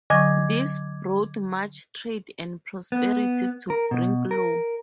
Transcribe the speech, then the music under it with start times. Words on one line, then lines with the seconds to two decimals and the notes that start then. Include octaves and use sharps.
This brought much trade and prosperity to Brinklow.
0.10 D3 F#3 D#5 G#5 C#6 D6 G#6
2.92 B3
3.70 A#4
3.91 B2
4.31 A#4